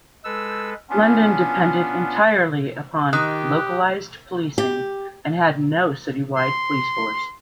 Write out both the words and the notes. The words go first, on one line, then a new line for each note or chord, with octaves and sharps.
London depended entirely upon localised policing and had no citywide police force.
G#3 A4 B4 E6
B3 C#4 D4 F4
D#3 G4 D#6 F#6
G4
C6